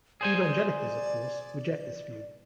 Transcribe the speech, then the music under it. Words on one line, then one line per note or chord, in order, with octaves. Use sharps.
Evangelicals, of course, reject this view.
G#4 C5 D5 G#5